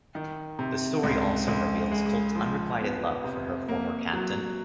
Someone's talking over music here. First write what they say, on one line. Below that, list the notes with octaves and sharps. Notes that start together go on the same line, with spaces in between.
The story also reveals Colt's unrequited love for her former Captain.
D#3
C3
C#2
C#2
G#3
F3
B3
C3
A#3
F#3